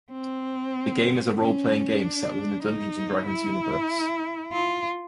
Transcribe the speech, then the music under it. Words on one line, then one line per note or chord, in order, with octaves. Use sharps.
The game is a role-playing game set within the "Dungeons and Dragons" universe.
C4
C#4
D4
D#4
E4
F4